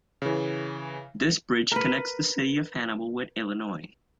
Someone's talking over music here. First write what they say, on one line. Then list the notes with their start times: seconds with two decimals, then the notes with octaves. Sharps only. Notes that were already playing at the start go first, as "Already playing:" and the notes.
This bridge connects the city of Hannibal with Illinois.
0.22 C#3 E3
1.71 A#4 B4